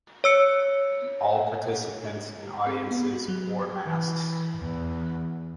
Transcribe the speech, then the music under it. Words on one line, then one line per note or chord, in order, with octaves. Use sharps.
All participants and audiences wore masks.
C#5 E6 C#7
C4
B3
F#4
F#3
E3
E2